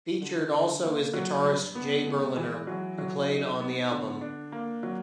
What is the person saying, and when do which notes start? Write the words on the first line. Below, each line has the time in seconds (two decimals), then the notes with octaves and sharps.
Featured also is guitarist Jay Berliner, who played on the album.
0.21 D3
0.51 D3
0.83 A#3
1.14 F#3
1.45 G2
1.75 B3
2.06 G#3
2.37 E3
2.67 F#3
2.98 F#3
3.29 D#4
3.60 B3
3.91 D3
4.21 D4
4.52 A#3
4.83 F#3